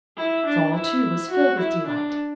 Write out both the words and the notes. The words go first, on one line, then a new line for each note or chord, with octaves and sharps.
Saul, too, was filled with delight.
E4
D4
E4
F#4
E4
D4